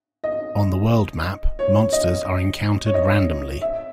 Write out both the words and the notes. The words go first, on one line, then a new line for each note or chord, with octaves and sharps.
On the world map, monsters are encountered randomly.
D#5
C#5
D#5
C#5
D#5
E5